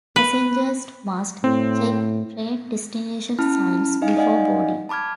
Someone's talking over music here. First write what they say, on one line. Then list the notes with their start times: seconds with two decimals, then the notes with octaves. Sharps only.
Passengers must check train destination signs before boarding.
0.16 B4
1.44 A2 C4
3.39 C#4 E4 A5 B5 F6
4.02 D#4 D#5 F5 G#5
4.16 D#4 D5 D#5 F5 F#5 G#5
4.89 A5 B5 D6 F6 G#6